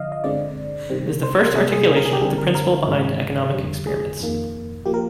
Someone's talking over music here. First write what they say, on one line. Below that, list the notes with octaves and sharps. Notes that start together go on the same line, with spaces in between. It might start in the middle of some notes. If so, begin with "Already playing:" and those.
It was the first articulation of the principle behind economic experiments.
Already playing: D3 F3 D#5 F5
D#5
D3 G#3 C4 D5
C3 D#3 G3 C4
C5
A#4
C3 G3 A#3 G#4
G#4
G#4
A#4
G#4
G4
D3 G3 C4 G#4
A#4
A#4
G#2 D#3 G#3 C4
F2 D3 G3
G#4
F2 D#3 A#3
F3 A#3 G4
A#4